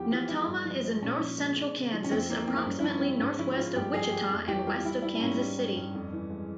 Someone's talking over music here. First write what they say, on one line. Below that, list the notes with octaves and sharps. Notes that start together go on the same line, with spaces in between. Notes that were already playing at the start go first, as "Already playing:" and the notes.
Natoma is in north-central Kansas approximately northwest of Wichita and west of Kansas City.
Already playing: E2 F3 G4
E3 F4
G#3 E4
G2
F3
G#3
A#2 C#4
F3
G#3
G#3
C#3
F3
C#4
F2 C4
E3 A#3
G#3 C4
E4
G2 C#4
E4
F3 C#4
G#3 C4
G#2 C#4
F3 E4
G#3 F4
G2 G4
F3 G#4
G#3 G4
F2
E3 G4
G3 F4
G3 E4
G3 E4
E4
G#2 C#4
G3
G3
G2
F2
E3
G#3